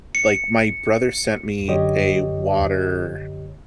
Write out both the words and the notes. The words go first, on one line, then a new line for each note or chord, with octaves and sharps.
like, my brother sent me a water,
C#7
F#2 D3 G4 C#5 D#5